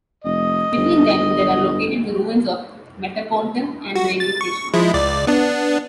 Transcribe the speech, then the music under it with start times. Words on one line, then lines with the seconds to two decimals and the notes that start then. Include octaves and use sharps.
Between them there are located the ruins of Metapontum and the railway station.
0.24 F1 D#5
0.77 G1
3.96 F#4
4.20 A6
4.41 C#6
4.74 F3 G#3 E4
4.94 C#2 D5
5.27 B3 D4